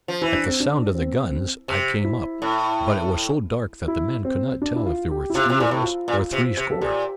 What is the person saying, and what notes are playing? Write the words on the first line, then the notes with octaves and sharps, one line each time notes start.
At the sound of the guns I came up, but it was so dark that the men could not tell if there were three of us or three score.
F3
E3 E4
D4
C4
D4
C4
C3
E4
A2
E4
C4
D4
E4
F4
G4
E4
C3 F4
C3
A#2 E4
A2
F4
A#2
C3
C3
A4
A#2 G4